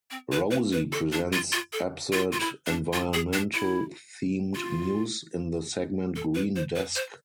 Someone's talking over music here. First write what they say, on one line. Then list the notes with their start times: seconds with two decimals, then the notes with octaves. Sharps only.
Rosy presents absurd environmental-themed news in the segment Green Desk.
0.11 C4
0.32 B4
0.51 B4
0.72 B4
0.93 A4
1.12 D4
1.33 F4
1.52 F4
1.73 A4
2.13 F4
2.33 F4
2.40 E4
2.67 D4
2.93 F4
3.14 G#4
3.33 D4
3.54 E4
4.55 F4
6.16 A4
6.35 B4
6.56 C5
6.75 B4
6.96 C5